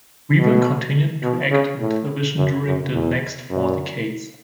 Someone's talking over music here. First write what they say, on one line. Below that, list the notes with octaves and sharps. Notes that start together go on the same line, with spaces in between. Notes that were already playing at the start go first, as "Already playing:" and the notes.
Weaver continued to act in television during the next four decades.
B2
B2
C#3
A2
F#2
F#2
E2
F#2